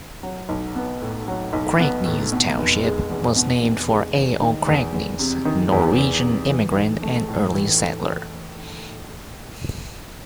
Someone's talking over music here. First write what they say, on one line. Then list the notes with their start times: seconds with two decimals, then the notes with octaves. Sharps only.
Kragnes Township was named for A. O. Kragnes, a Norwegian immigrant and early settler.
0.23 F#3
0.49 B1
0.75 B3
1.02 A2
1.28 F#3
1.53 B1
1.80 B3
2.05 A2
2.32 B2
2.58 F1
2.84 G#3
3.10 E2
3.36 B2
3.62 F1
3.88 G#3
4.14 E2
4.41 D#3
4.67 E2
4.94 E2
5.19 C3
5.45 D#3
5.72 E2
5.98 E2
6.24 C3
6.50 E3
6.76 B1
7.02 A3
7.28 A2
7.54 E3